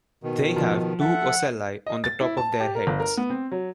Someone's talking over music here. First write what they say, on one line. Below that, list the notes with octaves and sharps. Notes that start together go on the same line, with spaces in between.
They have two ocelli on the top of their heads.
B2 D#3
F3
A4 E5 F#5
D#5
A6
E4
A5
G4
A#4
G1
A#4
B3
C4
F#3